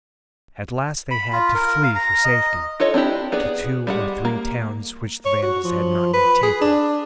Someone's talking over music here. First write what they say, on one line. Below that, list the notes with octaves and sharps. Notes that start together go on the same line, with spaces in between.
At last they had to flee for safety to two or three towns which the Vandals had not yet taken.
B5
F4
A#4
F5
A#5
D#5
F4 A4 C#5 D#5
C4 D4 E4 G4
B3 G#4 D5
G3 G#3 F#5
A#3
C#5
F#4
F3
B4
G#4
D4